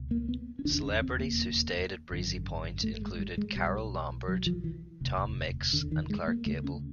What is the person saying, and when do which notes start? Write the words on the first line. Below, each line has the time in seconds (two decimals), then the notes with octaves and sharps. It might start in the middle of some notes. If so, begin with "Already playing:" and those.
Celebrities who stayed at Breezy Point included Carole Lombard, Tom Mix and Clark Gable.
Already playing: C#2 B2
0.11 A#3
0.29 B3
0.59 C#4
0.65 E1 D#2 C#3 D4
0.83 C#4
1.01 C4
1.19 A#3
2.11 G#1 F#2 D3
2.83 A3
3.02 G#3
3.19 G3
3.38 G#3
3.55 B1 B2 G3
4.28 F#3
4.46 F3
4.64 E3
5.01 E1 D2 C3
5.73 D3
5.92 D#3
6.10 G#3
6.28 A#3
6.46 D2 C#3 A3
6.64 C#4